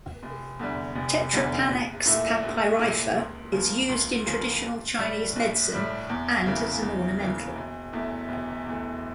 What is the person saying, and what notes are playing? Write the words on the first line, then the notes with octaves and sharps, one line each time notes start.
"Tetrapanax papyrifer" is used in traditional Chinese medicine and as an ornamental.
F1
E2 D3 G3
F1
E2 D3 G3
A#1
A#2 A3 E4
A#1
A#2 A3 E4
C#2
C#3 F3 A#3
C#2
C#3 F3 A#3
A#1
A2 G3
A#1
A2 G3
E2
C#3 E3 A#3
E2
C#3 E3 A#3
E1
E2 E3 A3
E1
E2 E3 A3